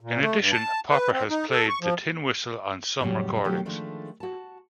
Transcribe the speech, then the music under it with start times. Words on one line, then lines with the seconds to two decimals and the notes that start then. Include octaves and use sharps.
In addition, Popper has played the tin whistle on some recordings.
0.01 A#2
0.21 A3
0.38 G2
0.52 A5
0.90 B4
1.12 C4
1.30 D#4
1.50 A4
1.69 C#6
1.81 F3
3.00 F2 A2 C#3 F#3 G3
3.44 B2 D#3 F#3 A3 G4
3.65 D#3 F3 G#3 A3 D4
4.20 F#4 A5